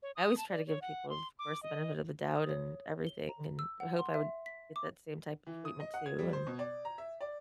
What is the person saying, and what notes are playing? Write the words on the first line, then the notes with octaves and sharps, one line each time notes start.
I always try to give people, of course, the benefit of the doubt and everything, and I hope I would get that same type of treatment, too. And
C#5
D#6
A5
D5
C#5
F#5
C6
D6
D#5
D#6
C#5
G7
A#5
E6
F#5
C6
E5
B6
D6
E3
D#6
D#5
F#5
G#6
G3
C5
B2
D5
A#5
E5
D5